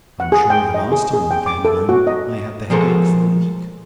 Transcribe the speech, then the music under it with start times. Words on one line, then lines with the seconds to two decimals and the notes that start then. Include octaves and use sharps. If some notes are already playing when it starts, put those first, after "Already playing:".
I'm sure the last time you came home, I had the headache for a week.
0.20 F#5
0.32 G#4
0.50 G5
0.74 D#5
0.92 G#4
1.14 G#4
1.31 G5
1.46 D6
1.65 A4
1.89 F#4
2.07 D#5
2.70 F3 G#3 A4 A#4 C5